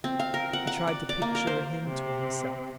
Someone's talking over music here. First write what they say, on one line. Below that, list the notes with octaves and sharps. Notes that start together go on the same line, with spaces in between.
He tried to picture him to himself.
C4
F5
A#4
F#5
F#5
D5
D5
A#3
A#4
C5
C3